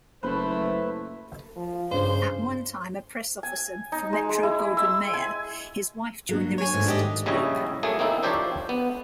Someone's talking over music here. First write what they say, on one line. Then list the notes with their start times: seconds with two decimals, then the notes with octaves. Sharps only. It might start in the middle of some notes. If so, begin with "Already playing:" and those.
At one time a press officer for Metro-Goldwyn-Mayer, his wife joined the resistance group.
0.23 F#1 A3 E4 B4 C5
1.56 F3
1.91 G2 C#3 C5
3.43 G#5
3.92 D#4
4.13 G#3
4.29 G#3
4.43 E4
4.77 E6
5.13 G#5
6.29 F#3 A#3 D4
6.58 C#5 G#5
6.74 G#2 D#3 A3
6.86 D4 G4 D#5
7.26 A#1 C#3 G3 E4 C#5 D#5
7.83 F#3 A3 A#3 G#4
7.99 A#3 C4 D#4 E4
8.23 F3 D4 G4 C5 C#5
8.69 B3